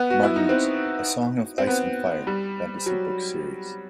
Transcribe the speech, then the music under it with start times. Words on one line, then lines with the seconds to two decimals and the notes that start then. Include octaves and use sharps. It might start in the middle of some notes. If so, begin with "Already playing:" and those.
Martin's "A Song of Ice and Fire" fantasy book series.
Already playing: B3
0.10 F#4
0.23 E4
0.36 D#4
0.49 C4
1.58 C4
1.67 B3
2.27 G3
2.86 F#3